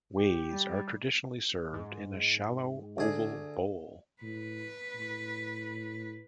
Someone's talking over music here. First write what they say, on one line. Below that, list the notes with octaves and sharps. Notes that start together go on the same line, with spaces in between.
"Ways" are traditionally served in a shallow oval bowl.
G4
G3
G#2
D2 G#4
A2 B4
A2